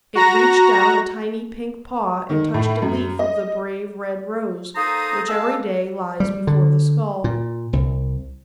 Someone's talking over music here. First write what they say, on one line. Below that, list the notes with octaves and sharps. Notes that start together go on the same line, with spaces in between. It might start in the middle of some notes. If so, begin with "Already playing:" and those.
It reached down a tiny pink paw and touched a leaf of the brave red rose which every day lies before the skull.
F#4 A#5 A#6
D#3
A2
F#2
D#5
A#3 D#4 A4 C5 A#5 D#6
G#3 F5 A5 E6
G3
D3
A#2
C2